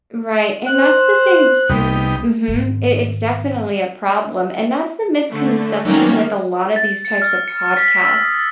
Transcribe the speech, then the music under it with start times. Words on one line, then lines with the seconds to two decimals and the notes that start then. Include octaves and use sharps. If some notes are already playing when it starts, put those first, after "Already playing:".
Right, and that's the thing too Mhm. I it's definitely a problem and that's the misconception with a lot of these types of podcasts.
0.66 C5 F#6
1.69 C2 B3 D#4 G4
2.48 G#2 D#3
5.31 D3 A3
5.85 D#3 F#3 G3 A#3 C#4 D#4
6.76 A6
7.05 C#7
7.22 F6
7.48 C#7
7.63 C#7
7.77 B6
8.03 E6
8.22 D#6
8.34 A6